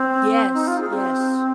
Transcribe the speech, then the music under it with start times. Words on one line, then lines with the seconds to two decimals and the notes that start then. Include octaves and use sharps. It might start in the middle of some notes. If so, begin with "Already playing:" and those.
Yes, yes.
Already playing: C4
0.54 D#4
0.67 F4
0.80 G#4
0.93 C4